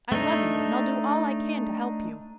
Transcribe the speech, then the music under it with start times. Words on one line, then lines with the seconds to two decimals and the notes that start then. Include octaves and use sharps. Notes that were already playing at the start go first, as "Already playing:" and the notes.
I love you, and I'll do all I can to help you.
0.12 A3 D4 D#4